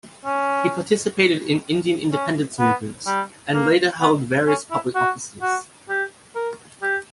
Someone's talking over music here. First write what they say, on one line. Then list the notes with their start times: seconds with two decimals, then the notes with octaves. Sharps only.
He participated in Indian independence movement and later hold various public offices.
0.25 C#4
2.12 C#4
2.59 B3
3.07 G3
3.54 A#3
4.00 B3
4.47 C#4
4.71 E4
4.95 F#4
5.42 F#4
5.89 G4
6.35 A#4
6.82 G4